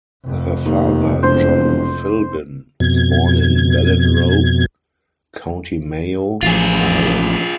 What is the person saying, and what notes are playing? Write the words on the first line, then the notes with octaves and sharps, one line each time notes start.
Her father, John Philbin, was born in Ballinrobe, County Mayo, Ireland.
F1 F2
D#2
E1 C5
F2 B2 G#6
A1 F3 F4 G#4